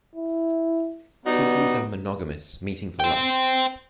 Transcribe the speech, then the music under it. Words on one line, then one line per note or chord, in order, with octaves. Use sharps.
Titis are monogamous, mating for life.
E4
G3 B3 D#4 F#4
C5 G5